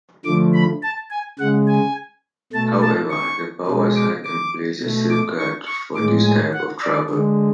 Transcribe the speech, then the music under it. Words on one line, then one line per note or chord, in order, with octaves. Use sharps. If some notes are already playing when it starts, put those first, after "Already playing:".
However, the Powers had in place a safeguard for this type of travel.
D3 F3 A3 D6
B5
A5
G#5
C#3 G#3 F#5
G#5
B2 A3 A5
A5
C#6
B2 G#3
D6
D6
B2 A3
D6
C#6
C#6
A2 G#3 D6
G#5
F#5
D5
D3 G#3